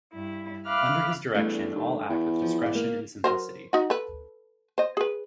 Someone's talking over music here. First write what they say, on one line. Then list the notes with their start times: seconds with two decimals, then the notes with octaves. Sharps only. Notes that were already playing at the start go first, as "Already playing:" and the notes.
Under his direction all act with discretion and simplicity.
0.11 G2 E4
0.66 E5 F5 B5 D6 F6 F#6
1.34 E2 G3 A3 D4
1.75 D#2
2.10 E2
2.42 F3
2.62 D5 D#5
2.75 A#3
3.24 F#3 A#4 C5
3.73 D#4 F#4
3.90 A4 B4
4.78 C5 D#5
4.97 G#4 B4